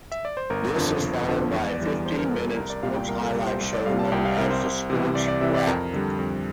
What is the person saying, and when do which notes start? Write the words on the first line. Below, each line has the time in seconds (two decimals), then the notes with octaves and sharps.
This is followed by a fifteen-minute sports highlight show known as "Sports Wrap".
0.12 E5
0.25 D5
0.37 C5
0.50 G1 A#4
0.76 F2 D3 F3
1.02 G1
1.28 F2 D3 F3
1.54 E2
1.71 D5
1.80 E3 G3
1.88 D5
2.05 E2 C5
2.18 A#4
2.31 E3 G3 A4
2.56 C2 A#4
2.70 D5
2.83 A#2 G3 F5
2.95 G5
3.09 C2 A#4
3.22 A4
3.34 A#2 G3
3.47 C5
3.61 C2 C5
3.73 D5
3.86 C3 G3 F5
3.99 A5
4.12 C2 G5
4.25 F5
4.37 C3 G3 A#4
4.50 C5
4.63 C2
4.90 C3 E3
5.15 C2 D5
5.28 D5
5.41 C3 E3 E5
5.55 D5
5.67 F2 A#4
5.93 D3 G3
6.19 F2